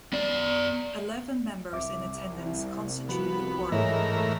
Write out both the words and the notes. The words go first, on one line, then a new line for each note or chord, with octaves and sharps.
Eleven members in attendance constitute a quorum.
B3 D5
C2 E5 D6
E4
F3 B3 F4 F#4
G#2 E3 A3 G#4 A#4 C#5 D#5